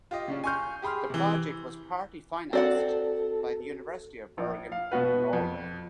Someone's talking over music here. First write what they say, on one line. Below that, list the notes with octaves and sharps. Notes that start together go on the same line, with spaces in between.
The project was partly financed by the University of Bergen, Norway.
F4 G4 D#5
C#3 C#4 D4
G#5 C6 C#6 F6 G6
G4 G#4 B5 C6 F6
C3 E3
C4 F#4 A4 D5 F#5
A#1
F5
B2 B3 F#4 B4
F2